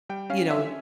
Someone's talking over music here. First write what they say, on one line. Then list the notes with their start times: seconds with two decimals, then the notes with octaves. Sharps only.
you know,
0.09 G3 G5
0.30 C#4 F5
0.50 C#4 E5